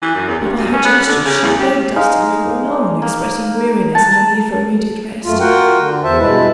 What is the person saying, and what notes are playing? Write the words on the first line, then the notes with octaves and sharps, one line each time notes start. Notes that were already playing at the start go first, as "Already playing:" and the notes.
But by her gestures she begged us to leave her alone, expressing weariness and the need for immediate rest.
E3
F#2
E2
G2
F#2
C#4
B3
D3
C#3
E2
G3
G#3 D#4 F5
A#3
F#5 A5 A#5
F#2 A3 F4
F4 F#4 A#4 F#5 G5
D3
E2 C5 E5 A5
G2 B2 G#3 E4 B4 A5